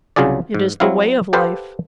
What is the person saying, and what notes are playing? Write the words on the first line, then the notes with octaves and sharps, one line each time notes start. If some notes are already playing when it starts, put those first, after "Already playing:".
It is the way of life.
C2 C#3 F#3 F4 G#4 D5
G#2
F#3 C4 E4 F5
G4 A4 B4 C5 F5 F#5